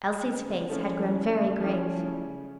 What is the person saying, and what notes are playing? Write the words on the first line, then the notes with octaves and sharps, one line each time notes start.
Elsie's face had grown very grave.
C#3
F3 A3 C#4 E4
C#3
F3 A3 C#4 E4
C#3